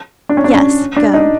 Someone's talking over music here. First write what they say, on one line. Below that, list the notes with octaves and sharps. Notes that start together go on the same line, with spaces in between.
"Yes, go."
D4
C#4
D4
C#4
D4
D#4